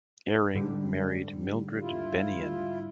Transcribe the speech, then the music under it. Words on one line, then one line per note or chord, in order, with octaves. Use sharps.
Eyring married Mildred Bennion.
G#2 D3 G3
E4 F4